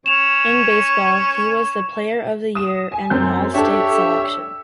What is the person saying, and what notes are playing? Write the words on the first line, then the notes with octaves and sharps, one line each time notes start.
In baseball, he was the Player of the Year and an All-State selection.
C#4 C#5 E7 F7
D#6 E7
G#5
F#2 C4 G6
D4 G4 A4 C#5 E5
E6